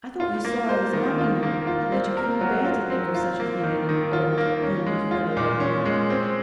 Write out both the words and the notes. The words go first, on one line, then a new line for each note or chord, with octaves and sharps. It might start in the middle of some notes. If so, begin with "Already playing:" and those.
I thought you saw I was loving you and that you couldn't bear to think of such a thing in an old, homely fellow like me.
F4
A#3
C5
D#3
F4
A#3
F4
C4
A#4
F#3
F4
C4
F4
A#3
D#3
D#3
F4
A#3
C#4
G#3
F4
A#2
C#4
G#3
C4